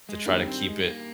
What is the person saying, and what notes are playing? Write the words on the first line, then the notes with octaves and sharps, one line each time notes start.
to try to keep it,
G#3
G2 D#3 G3 A#3
C4
G#3
C4
A#3